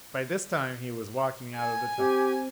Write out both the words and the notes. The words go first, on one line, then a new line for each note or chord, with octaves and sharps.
By this time he was walking out of the tunnel.
G#5
C4 G4 C5